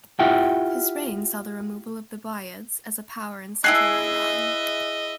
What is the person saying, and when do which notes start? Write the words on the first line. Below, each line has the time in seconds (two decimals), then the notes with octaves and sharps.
His reign saw the removal of the Buyids as a power in central Iran.
0.19 E4 F4 G4 E5 F#5 G5
3.64 E4 F#4 G#4 D#5 E5 F#6 C7